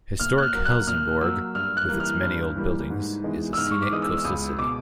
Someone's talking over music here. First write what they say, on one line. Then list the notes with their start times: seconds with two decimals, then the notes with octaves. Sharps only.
Historic Helsingborg, with its many old buildings, is a scenic coastal city.
0.20 A#2 F6
0.38 F#6
0.43 F6
0.54 F#3 A#3
0.65 F#6
0.87 A#2 F6
1.21 F#3 A#3 E6
1.55 G2 F6
1.77 F#6
1.89 E3 G3 A#3
2.00 F6
2.23 G2
2.56 E3 G3 A#3
2.90 G#2
3.24 E3 G#3 B3
3.53 E6
3.57 G#2 F6
3.71 C#6
3.82 D6
3.91 E3 G#3 B3 D#6
4.02 E6
4.17 E6
4.24 C#2 D#6
4.59 B2 G#3 D6